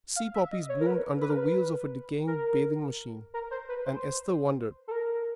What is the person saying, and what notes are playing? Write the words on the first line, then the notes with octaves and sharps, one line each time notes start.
Sea-poppies bloomed under the wheels of a decaying bathing-machine, and Esther wondered.
F5
E5
D#5
C#5
A#4
B4
B4
A#4
B4
A#4
A#4
C5
B4
C5
A4
A#4